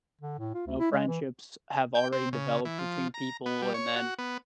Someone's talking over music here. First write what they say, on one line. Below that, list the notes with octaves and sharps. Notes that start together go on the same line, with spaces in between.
no friendships have already developed between people, and then
D3
A2
F4
D2
E4
G#3
E3
G5
C4
C#3
E3
F3
A#5
B3
G3
C#5
F#4
B3